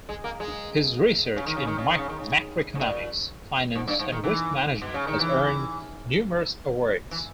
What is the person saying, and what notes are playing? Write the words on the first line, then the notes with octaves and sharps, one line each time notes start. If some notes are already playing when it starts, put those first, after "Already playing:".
His research in macroeconomics, finance, and risk management has earned numerous awards.
G#3
A#3
G#3
C#3
D#3
C#3
D#3
C#3
D#3
C#3
D#3
C#3
G#2
A#2
G#2
G2
G#2
D#3
E3
B2
C#3
D#3
E3
E3